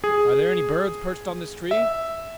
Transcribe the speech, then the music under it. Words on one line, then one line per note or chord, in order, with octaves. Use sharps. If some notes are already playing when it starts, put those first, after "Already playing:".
Are there any birds perched on this tree?
G#4
E5